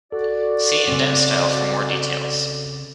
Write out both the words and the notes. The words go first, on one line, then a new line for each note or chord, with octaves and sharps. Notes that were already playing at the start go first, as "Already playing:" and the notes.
See Indent style for more details.
F#4 A4 D5
C#3 C4